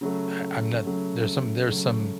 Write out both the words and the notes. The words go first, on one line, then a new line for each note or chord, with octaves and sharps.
uh, I'm not there's some there's some,
C#3 F#3 A3
C#3 F#3 A3
C#3 F#3 A3